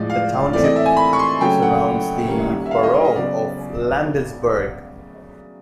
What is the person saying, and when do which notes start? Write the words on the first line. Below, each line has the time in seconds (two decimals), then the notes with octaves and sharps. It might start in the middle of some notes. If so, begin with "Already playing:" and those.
The township surrounds the borough of Landisburg.
Already playing: A2 F3 G#3 D5
0.10 F5
0.53 E3 A3 C4 D5
0.64 D#5
0.76 E5
0.86 G#5
0.97 B5
1.13 C#6
1.19 C6
1.41 C#3 F#3 A3 C#4 G5
1.62 F#5
2.28 D#3 G3 A#3 C#4
2.66 E5
2.71 F5
2.83 D#5
2.94 D#5
3.04 D#5
3.16 C#3 F#3 B3 D5